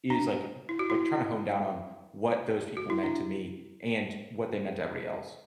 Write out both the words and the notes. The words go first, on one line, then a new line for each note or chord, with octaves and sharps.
is like like trying to home down on what those people meant to me, and what they meant to everybody else.
D4
E4
F#4
E4
F#4
E4
D4